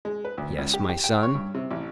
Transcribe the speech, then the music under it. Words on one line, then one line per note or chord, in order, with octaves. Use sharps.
"Yes, my son?"
G#3
B4
D2
C#2
G4
G4
G5
C#5
G2
C3
A1